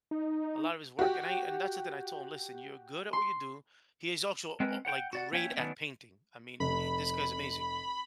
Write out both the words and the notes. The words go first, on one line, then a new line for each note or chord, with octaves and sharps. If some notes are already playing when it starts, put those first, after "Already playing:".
a lot of his work, and I and that's the thing that I told him, "Listen, you're good at what you do." He is also, uh, uh, like, great at painting. I mean, this guy's amazing.
D#4
F#4 G4
C6
G#3 C4 C#4 A#4 B4
F#5 G5
F#4 D5 F#5
A#3 C#4 C#5 E5 G5
D#3 F#3 A3 B3 C#4 D4
F1 B5